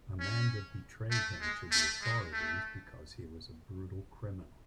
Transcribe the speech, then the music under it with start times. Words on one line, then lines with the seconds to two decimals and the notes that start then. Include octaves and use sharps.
Amanda betrayed him to the authorities because he was a brutal criminal.
0.20 C#4
1.10 A3
1.41 G#3
1.71 A3
2.02 G#3
2.33 A3